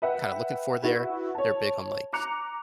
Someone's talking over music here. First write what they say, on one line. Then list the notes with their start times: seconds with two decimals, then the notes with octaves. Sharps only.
kinda looking for there. They're big on, like,
0.02 B4 E5 F#5 G5
0.82 E4 F#4 B4
1.35 C#5 A5
2.13 A#5 D6 F#6 C#7 F7